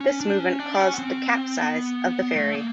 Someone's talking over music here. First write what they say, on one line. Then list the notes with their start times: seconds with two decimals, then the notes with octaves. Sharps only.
This movement caused the capsize of the ferry.
0.01 C#4
0.21 D4
0.40 C#4
0.60 D4
0.80 C#4
0.94 B3
0.98 C4
1.57 B3
2.36 A3
2.55 A#3